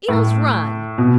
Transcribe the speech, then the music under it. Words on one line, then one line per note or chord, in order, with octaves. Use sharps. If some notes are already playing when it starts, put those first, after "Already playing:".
"Eels run!"
A2
B2